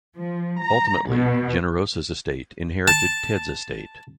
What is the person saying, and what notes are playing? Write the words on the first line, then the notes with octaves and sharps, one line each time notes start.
Ultimately, Generosa's estate inherited Ted's estate.
F3
A#5
B2
A5